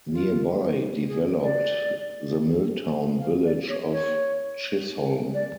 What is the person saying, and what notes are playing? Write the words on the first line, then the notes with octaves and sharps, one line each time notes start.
Nearby developed the mill town village of Chisholm.
F4
G#4
D5
F5
D5
C#5
C#5
D5